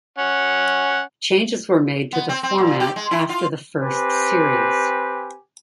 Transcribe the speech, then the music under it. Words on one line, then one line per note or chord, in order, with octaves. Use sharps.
Changes were made to the format after the first series.
C#4 F#5
B3
C4
C4
A#2
G4
G#3
E4
F4
C4 G4 B4 G#5